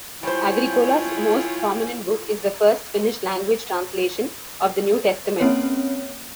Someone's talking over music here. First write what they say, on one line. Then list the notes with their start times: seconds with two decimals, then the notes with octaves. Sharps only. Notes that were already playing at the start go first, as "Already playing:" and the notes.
Agricola's most prominent book is the first Finnish-language translation of the New Testament.
0.23 G3 E4 F4 C5 C#5 G5 G#5
5.40 A#3 C4 C#4 C#5